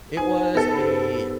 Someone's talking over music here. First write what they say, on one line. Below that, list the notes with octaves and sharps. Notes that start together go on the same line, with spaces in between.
it was a
D#4 B4 C5 G#5
B3 A4 A#4
G2 G4 C5